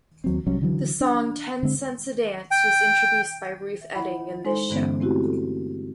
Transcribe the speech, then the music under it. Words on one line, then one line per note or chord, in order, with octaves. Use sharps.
The song "Ten Cents a Dance" was introduced by Ruth Etting in this show.
D#2 F#3 C4
C2 F#3 G3 C#4
D3 E3 F#3
D4
D3 G#3 C4
G5
E5
E4 D#5 F#5 B5
G#3 D#4 A4 C5 G#5 C6
G2 D3 E3 G#3 B3 C#4
A3 C4 E4 F#4 G4
A4